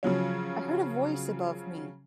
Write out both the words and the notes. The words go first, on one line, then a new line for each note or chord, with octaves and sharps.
I heard a voice above me.
C#3 F3 F#3 C#4